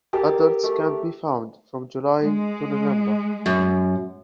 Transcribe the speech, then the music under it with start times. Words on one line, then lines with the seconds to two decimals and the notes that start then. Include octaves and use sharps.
Adults can be found from July to November.
0.13 G4 A4 A#4 A5
0.63 A3
2.20 G#3
3.46 F#2